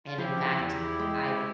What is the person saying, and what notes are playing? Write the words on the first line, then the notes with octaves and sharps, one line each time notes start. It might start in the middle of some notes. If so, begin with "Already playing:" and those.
and in fact, I've
F4
F3 E4 G4
E2
G#3